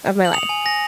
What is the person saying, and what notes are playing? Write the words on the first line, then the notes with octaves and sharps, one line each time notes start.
of my life."
F#7
D#6 C#7 F7
G#5
G#5 A#6